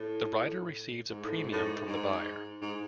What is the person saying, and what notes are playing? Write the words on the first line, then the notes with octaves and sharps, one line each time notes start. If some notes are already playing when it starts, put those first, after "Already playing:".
The writer receives a premium from the buyer.
Already playing: A2
G#2
A2
G#2
A2
G#2
G#2
G#2